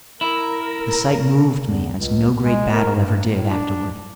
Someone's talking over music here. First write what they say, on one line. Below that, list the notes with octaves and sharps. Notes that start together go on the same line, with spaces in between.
The sight moved me as no great battle ever did afterward.
E4 A#4
E2
C#2
G#3
A#4
G2
A2
D4